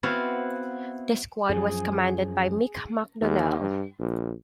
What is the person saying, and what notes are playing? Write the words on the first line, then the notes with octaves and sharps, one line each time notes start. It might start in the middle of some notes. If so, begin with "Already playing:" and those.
The Squad was commanded by Mick McDonnell.
B3 C4 E4 F#4 F5
F#2 F3 G#4
D#2
G2
A#1